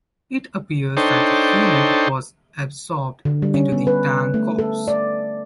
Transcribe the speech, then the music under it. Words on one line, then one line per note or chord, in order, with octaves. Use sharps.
It appears that the unit was absorbed into the Tank Corps.
D4 D#4 A4 C5 C#5 G5
D3
G3
C#4
B3
B4
A3
A4
D5